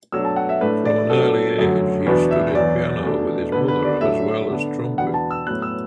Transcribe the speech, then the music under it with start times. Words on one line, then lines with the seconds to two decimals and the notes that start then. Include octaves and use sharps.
From an early age he studied piano with his mother as well as trumpet.
0.12 B2 F#3 A3 D4 E6
0.25 A5
0.36 F#5
0.49 E5
0.61 A2 A3 D4 B4
0.85 D5
1.09 B2 F#3 A3 D4 A4
1.58 F#2 D3 F#3 A3
2.06 E2 B2 B3 D4 B4
2.31 E5
2.55 E2 B2 F#3 D5
3.04 B2 A3 D4
3.52 D3 B3 D4 B4
3.68 B4
3.85 D5
4.01 A2 F#3 A3 D4 E5
4.50 D3 B3 D4
4.98 E2 B2 B3 D4 F#5
5.14 A5
5.31 E6
5.46 A2 F#3 B3 F#6
5.62 E6